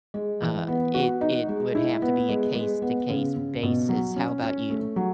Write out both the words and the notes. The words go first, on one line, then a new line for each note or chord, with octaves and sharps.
uh, it it would have to be a case-to-case basis. How about you?
G#3
E3
B3
F#4
D#4
G#3
E4
B3
G#3
G#3
B3
C#3
C#3
B2
F#3
C#4
C#4
A3
F#3